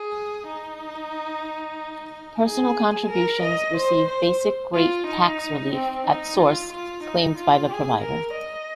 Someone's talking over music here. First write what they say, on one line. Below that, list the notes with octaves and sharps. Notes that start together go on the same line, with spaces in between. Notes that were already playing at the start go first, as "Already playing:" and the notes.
Personal contributions receive basic rate tax relief at source claimed by the provider.
Already playing: G#4
D#4
G#4
A#4
D#5
C5
C5
F4
D#4
C4
D#4
F4
F4
D#4
F4
G#4
A#4
D#5